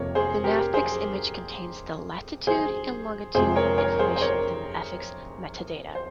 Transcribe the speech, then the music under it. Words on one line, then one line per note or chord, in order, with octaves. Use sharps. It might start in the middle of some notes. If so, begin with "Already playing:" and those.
The NavPix image contains the latitude and longitude information within the Exif metadata.
Already playing: F2 C3 F3 A#3 A#4 C#5
G#4 C5
G4 A#4
G#4 C5
G#4 C5
F2 C3 F3 G#3 G#4 C5
A#4 C#5
A#4 C#5
G#4 C5
C5
A#4 C#5
C5